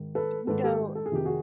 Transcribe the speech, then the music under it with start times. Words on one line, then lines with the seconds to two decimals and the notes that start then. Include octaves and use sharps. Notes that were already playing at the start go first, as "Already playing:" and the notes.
You know,
Already playing: G#2 D#3
0.15 A4 B4
0.47 G#2 D#3 A4 B4
0.64 G4 A4
0.79 G4
0.95 A4
1.06 G#4
1.12 F2 C3 D#3 G4
1.25 F#4 G#4